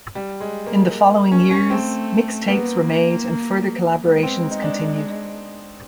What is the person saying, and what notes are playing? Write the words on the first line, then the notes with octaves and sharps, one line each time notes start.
In the following years, mixtapes were made and further collaborations continued.
G3
G#3
A#3
C#4
C#4
A3 C4
A#3 B3
G#3 B3
C4
D#4
D4